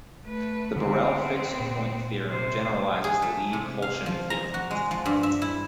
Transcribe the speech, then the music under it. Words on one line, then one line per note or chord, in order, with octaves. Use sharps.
The Borel fixed point theorem generalizes the Lie-Kolchin theorem.
A3 B4
D3 B3 C4
A#2
C3 C5
G#4
A3
C3
F5
F3
A#5
F#4
G#3
F3
G2
E5
E4